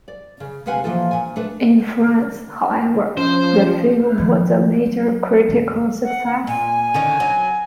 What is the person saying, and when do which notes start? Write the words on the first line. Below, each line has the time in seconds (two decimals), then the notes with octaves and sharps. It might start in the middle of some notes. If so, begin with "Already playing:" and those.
In France, however, the film was a "major critical success".
0.08 D5
0.40 C#3
0.66 D2 C3 B4 F5 F#5 G#5
0.84 A#2 E3 F3 A#3 F4 A4
1.11 A#2 G#5
1.36 A3 D4 A4 B4
3.17 F3 C#4 C5
4.18 D#3 F3
4.87 F#3
5.49 F#2 D3
6.03 F#5
6.47 A#2 G#5
6.94 D3 D#3 C#4
7.20 F#3